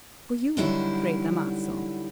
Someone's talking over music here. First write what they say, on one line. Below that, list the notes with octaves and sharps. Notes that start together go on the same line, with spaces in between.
"For you, Fray Damaso."
D3 D#3 F#3 G3 E4